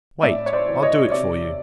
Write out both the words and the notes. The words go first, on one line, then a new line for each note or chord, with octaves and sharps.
"Wait: I'll do it for you."
A2 D5 E5
C#5
C5 D5
E3
C#5 D#5
C3 D5 E5